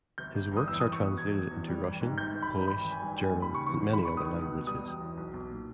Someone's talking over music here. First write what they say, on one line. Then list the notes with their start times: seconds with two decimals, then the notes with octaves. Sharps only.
His works are translated into Russian, Polish, German and many other languages.
0.18 G1 G6
0.34 G1
0.52 G2
0.57 D#6
0.68 E2 E6
0.80 E2 D#6
0.93 C#6
1.00 B2
1.18 E1 G#6
1.35 E1
1.51 E2
1.68 G3
1.85 G#1
2.01 G#2
2.18 G1 G6
2.34 G1
2.42 B5
2.51 G2
2.68 G#1 B5
2.84 G#1
2.92 G#5
3.00 G2
3.17 G3 G#5
3.34 D#2
3.42 B5
3.51 C#3 C#6
3.67 E2 C#6
3.84 E2
3.93 B5
4.00 D#3
4.05 C#6
4.17 C#2 D#6
4.34 C#2
4.50 B2
4.67 G3 D#6
4.84 E1
5.00 E2
5.17 B1
5.34 B1
5.50 A#2